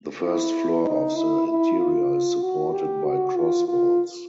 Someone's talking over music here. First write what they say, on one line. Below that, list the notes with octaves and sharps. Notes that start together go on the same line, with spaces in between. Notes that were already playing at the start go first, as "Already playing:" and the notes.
The first floor of the interior is supported by cross vaults.
E4
D#4
E4
E4
F4
F#4
G4
F#4
F4
F4